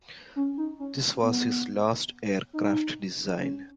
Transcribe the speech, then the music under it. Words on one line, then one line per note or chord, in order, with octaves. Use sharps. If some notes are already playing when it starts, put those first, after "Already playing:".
This was his last aircraft design.
C#4
D#4
C#4
B3
D#4
C#4